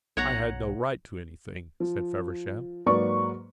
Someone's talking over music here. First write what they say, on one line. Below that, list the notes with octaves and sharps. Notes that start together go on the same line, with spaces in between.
"I had no right to anything," said Feversham.
B1 C#5 F#5 A#5
F3
G#2 F#3 A#3 B4 D5 C#6